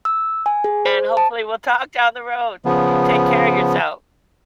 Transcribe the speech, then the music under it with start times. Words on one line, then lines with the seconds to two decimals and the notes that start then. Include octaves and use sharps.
And hopefully we'll talk down the road. You take care of yourself.
0.05 E6
0.46 G#5
0.64 G#4
0.85 C5
1.17 A5
2.65 C#3 F3 B3